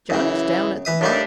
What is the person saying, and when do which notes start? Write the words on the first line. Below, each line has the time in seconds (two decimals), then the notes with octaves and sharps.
Johnny's down at the barn.
0.10 F#2 C#3 E3
0.85 E3 E5 D#6
1.01 A2 G3 A#3 D4 D#4